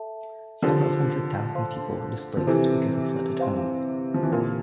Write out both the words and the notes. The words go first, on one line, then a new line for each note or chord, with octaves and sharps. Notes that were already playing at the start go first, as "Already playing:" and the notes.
Several hundred thousand people were displaced because of flooded homes.
Already playing: A4 E5 A5
D3 F3 D4 G4 A#4 D5
C5 F5 A5 C6
F3
C3 E3 E4 A4 C5
C5 F5 C6
F3
E3
A#2 D3 E4 G4 A#4 F5